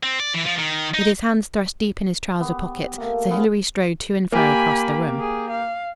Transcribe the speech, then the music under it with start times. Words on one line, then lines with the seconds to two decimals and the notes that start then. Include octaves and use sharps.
With his hands thrust deep in his trousers pockets, Sir Hilary strode to and fro across the room.
0.03 C4
0.20 D5
0.34 E3
0.46 F3
0.59 D#3
0.94 D#4
2.40 B3 G4
2.98 A3 A#3
3.31 F3 B3 C#4
4.32 A#3 G4 G#5 B5
5.19 G#4
5.50 F5